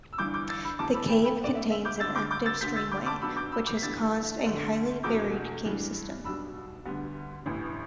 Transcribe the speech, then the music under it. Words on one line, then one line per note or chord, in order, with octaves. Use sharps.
The cave contains an active streamway, which has caused a highly varied cave system.
E6
G1 G2 E3 D6 G6
D6 G6
E6 A6
B5 E6
E1 E2 E3 B3 A5 D6
B5 E6
G5 B5
G5 B5
D2 D3 B3 D4 D5
E5
E5
D6 G6
G1 G2 D3 E6 A6
D6 G6
D6 G6
E6 A6
E1 D2 D3 G6 B6
E6 A6
D6 G6
A5 D6
B1 B2 B3 D4 B5 E6
D6 G6
B5 E6
D6 G6
B6
G1 G2 E3 G3 B3 E6 A6
D2 D3 A3 D4
E1 E2 B2 A3 D6 G6
G2 E3 G3 D4
B1 B2 G3 D4 B5 E6
D2 D3 G3 B3 D4
A1 A2 E3